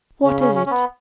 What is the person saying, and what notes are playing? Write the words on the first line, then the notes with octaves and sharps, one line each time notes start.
"What is it?"
C#3 C#4
C#4
C#4
C#4
B3